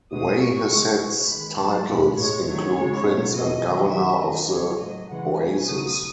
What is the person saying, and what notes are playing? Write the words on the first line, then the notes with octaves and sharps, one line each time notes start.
Wayheset's titles include Prince and Governor of the Oasis.
B2 G#3 D#6
B2 F#3 A3 C#6
C#3 G#3
B2 G#3
D#3 G#3 B5
A2 F#3 A3 A5
B2 G#3 B5
A2 G#3 C#5
D#3 F#3 A3 C#5
C#3 G#3
B2 F#3 A3
B2 A3 D#5
D#3 F#3 A3
D#3 A3 E5
D#3 F#3 A3 D#5
C#3 F#3 A3 C#5
A2 F#3 A3 D#5
C#3 E3 G#3 F#5
B2 A3 G#5
C#3 F#3 A3 D#6